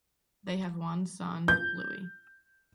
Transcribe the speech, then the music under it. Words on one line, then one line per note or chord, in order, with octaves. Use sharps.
They have one son, Louis.
G6